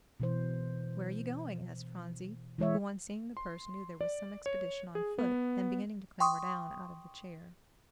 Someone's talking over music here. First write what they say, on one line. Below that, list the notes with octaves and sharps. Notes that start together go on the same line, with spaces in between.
"Where you going?" asked Phronsie, who on seeing the purse knew there was some expedition on foot, and beginning to clamber down out of the chair.
B2 E3 C5
E3 G#3 C#5 E5
C6
D5
C#5
G#4
B3
G5 C6 C#6 D#6